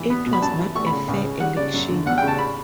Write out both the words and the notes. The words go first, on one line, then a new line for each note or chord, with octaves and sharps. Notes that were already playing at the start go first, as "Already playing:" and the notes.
It was not a fair election.
Already playing: E3
B3
B2
B5
F#2 A5
E3
A3 C#6
C#3 B5
C#2
C#3
G3 F#5
C#3 D5
F#2
D3
E2 F#5
C#3 G5
A5
B5